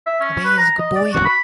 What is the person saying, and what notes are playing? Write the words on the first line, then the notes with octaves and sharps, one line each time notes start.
Abhay is a good boy.
E5
C#4
B4
A#5
D#5
D5
F#4
B5